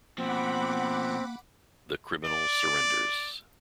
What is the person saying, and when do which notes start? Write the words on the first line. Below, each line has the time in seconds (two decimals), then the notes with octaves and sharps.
The criminal surrenders.
0.18 B2 F3 A#3 C4 F#5 B5 D6
2.25 D5